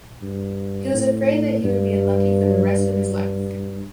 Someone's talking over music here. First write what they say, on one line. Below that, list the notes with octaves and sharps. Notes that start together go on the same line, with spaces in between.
He was afraid that he would be unlucky for the rest of his life.
G2
A2
G2